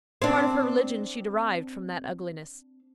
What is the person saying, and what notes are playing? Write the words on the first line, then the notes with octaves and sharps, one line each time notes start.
A part of her religion she derived from that ugliness.
C4 D4